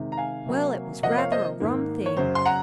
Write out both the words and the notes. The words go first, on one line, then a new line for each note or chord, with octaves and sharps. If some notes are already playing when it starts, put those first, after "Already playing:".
'Well, it was rather a rum thing.
Already playing: C3 D#3 G#3
A#5
F5 G#5
C3 F#3 A#3
C3 F3 A#3 D#5 F#5
C#5 F5
C5 D#5
G#2 D#3 A#3
C#5
F#2 C#3 F#3 C5
C6
F#5 A#5